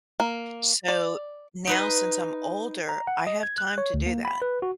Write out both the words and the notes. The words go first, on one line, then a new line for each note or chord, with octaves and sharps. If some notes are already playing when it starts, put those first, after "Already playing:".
So, now since I'm older, I have time to do that.
A#3
D5
D#4 B4 C6
A#5
F#5
D#5
G#6
F#6
C#5
D2
A#3
B5
B4
F#4